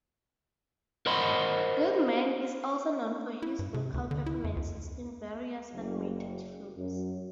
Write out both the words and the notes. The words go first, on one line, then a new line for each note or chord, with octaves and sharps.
Goodman is also known for his vocal performances in various animated films.
A#4 C5 D#5 F#5 B5 C6
E4
G2
C3
D2
D3
E4
F2
D2
F#1
F#2